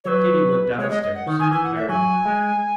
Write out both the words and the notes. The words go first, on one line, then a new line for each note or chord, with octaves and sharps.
Katy went down stairs very happy.
F#3 B4 C#5
G#3 C#5
G#3 D#5
D#5
F#5
D#3
D#3 G#5
E3 G#5
F#5
E5
F#3 G#5
G#3